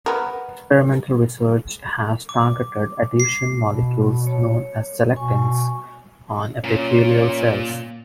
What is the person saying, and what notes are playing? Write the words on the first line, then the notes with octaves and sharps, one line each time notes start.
Experimental research has targeted adhesion molecules known as selectins on epithelial cells.
B3 A#4
D6
C7
B2
C#5
B2 G#5 C#6
A#2 C#4